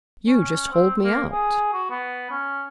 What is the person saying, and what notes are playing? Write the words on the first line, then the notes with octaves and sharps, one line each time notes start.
"You just hauled me out."
C#4
C4
A#3
G#4
F#4
B3
C#4